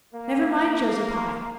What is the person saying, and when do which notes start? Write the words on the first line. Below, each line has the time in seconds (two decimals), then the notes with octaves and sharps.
Never mind Josie Pye.
0.14 A#3